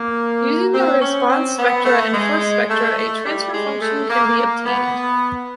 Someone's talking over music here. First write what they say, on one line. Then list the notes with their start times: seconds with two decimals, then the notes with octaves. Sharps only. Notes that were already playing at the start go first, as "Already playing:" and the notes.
Using the response spectra and force spectra, a transfer function can be obtained.
Already playing: A#3
0.74 C4
1.01 C#4
1.29 C4
1.58 B3
1.85 A3
2.13 G#3
2.69 A3
2.98 A3
3.26 G3
3.54 G#3
3.81 A3
4.10 A#3
4.38 A#3
4.65 B3